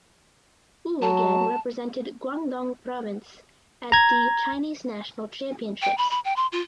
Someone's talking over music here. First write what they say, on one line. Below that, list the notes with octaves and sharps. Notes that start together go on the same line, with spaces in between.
Ou again represented Guangdong province at the Chinese National Championships.
F#3 A5
A#5 G#6
G5
B5
B5
G5
C6
F4